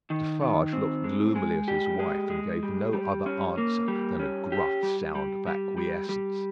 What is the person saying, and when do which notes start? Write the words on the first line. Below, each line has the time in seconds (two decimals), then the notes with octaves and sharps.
Defarge looked gloomily at his wife, and gave no other answer than a gruff sound of acquiescence.
0.10 D#3
0.41 D#3
0.73 C4
1.04 G#3
1.36 G#3
1.68 G4
1.99 G#3
2.30 G#3
2.63 G3
2.93 G3
3.26 C#4
3.58 A#3
3.88 G3
4.19 C#4
4.52 G4
4.83 G3
5.15 G3
5.47 G3
5.77 G3
6.09 G3